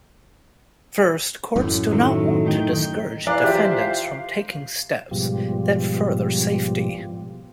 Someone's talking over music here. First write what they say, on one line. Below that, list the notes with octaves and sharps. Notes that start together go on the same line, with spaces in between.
First, courts do not want to discourage defendants from taking steps that further safety.
F#2 A2
D#3 F#3 A3
D#3 D#4 G5
E3 D5 F5 A#5 F#6
F4 G4 C5 E5
F5
G#2 B2 F3 G3